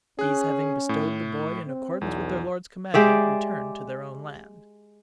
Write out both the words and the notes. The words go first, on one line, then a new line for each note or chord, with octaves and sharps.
These having bestowed the boy in accordance with their lord's commandment, returned to their own land.
C#4 G#4 F#6
A2
C4
B1 E2
G#3 G4 D5 E5